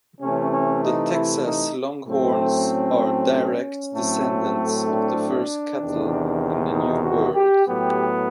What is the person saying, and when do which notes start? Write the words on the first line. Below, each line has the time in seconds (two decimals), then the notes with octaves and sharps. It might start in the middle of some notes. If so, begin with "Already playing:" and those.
The Texas Longhorns are direct descendants of the first cattle in the New World.
0.21 C3 E3 A3 C#4
0.52 C#4
0.83 D#4
1.13 E4
1.45 D#4
2.06 A2 F#3 A3 C4
2.54 C#4
3.93 A2 F#3 A3 C4
4.87 D4
5.80 E2 C3 D#3
6.72 D#4
7.04 F#4
7.34 G4
7.66 A2 F#3 B3 G4